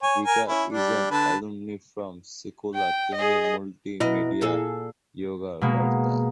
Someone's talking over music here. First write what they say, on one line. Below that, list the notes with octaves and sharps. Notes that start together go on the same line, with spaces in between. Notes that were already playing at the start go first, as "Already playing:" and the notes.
Vika is an alumni from Sekolah Tinggi Multi Media Yogyakarta.
C#5 G#5
A#4 G#5
C#4 E4
G3 D4
D3 B4 A5
G5
G#4 D#5
B2 E4 B4 D#5
A#2 G#4 A4
B2 G#3 A#3 B3